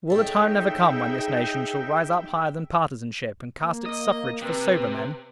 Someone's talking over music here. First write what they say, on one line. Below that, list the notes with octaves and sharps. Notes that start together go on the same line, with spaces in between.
Will the time never come when this nation shall rise up higher than partisanship, and cast its suffrage for sober men?
D#4 G#4 A4 C#5 E5 G5
A#3
D#5
C3 B4